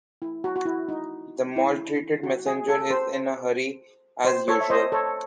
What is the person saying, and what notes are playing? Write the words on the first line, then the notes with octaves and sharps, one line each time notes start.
The maltreated messenger is in a hurry as usual.
E4
F#4
F#4
E4
D#4
E4
F#4
G#4
A4
C5
C5
A4 C#5
E5
C5 D#5
A4 C#5